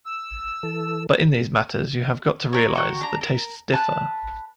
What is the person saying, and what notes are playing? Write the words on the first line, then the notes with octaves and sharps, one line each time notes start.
But in these matters you have got to realize that tastes differ.
E6
E3 A4
A#4 C#5
F#4 A#4 G5 C#6
D4 A#5
A#4
B4 A5 F#6